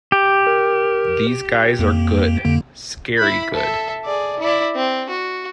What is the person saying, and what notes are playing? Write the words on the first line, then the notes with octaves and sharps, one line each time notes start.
These guys are good, scary good!
G4
A#4
F2 A#3
F2 D3 A#3
E4 B5
A4 E5
G#4 D5
E4 D5
C4
F#4